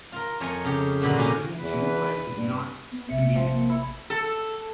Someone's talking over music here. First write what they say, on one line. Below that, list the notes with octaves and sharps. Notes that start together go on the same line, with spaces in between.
Diversion to Newquay is not convenient.
F4 A#4
F2 A3 A#4 C#5 G#5
C#3 G4
F#2 A#2 D3 F#4 B5
A#3 C#4 G4 G#5
E2 B4
G2
B3
A1 C3 E5 C#7
F3 C4
A#3
E4
A4